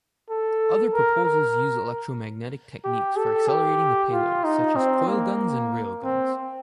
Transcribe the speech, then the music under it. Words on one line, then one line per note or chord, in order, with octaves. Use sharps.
Other proposals use electromagnetic techniques for accelerating the payload, such as coilguns and railguns.
A4
A#4
A#4
G4
A4
G4
F4
D#4
C4
A#3
C4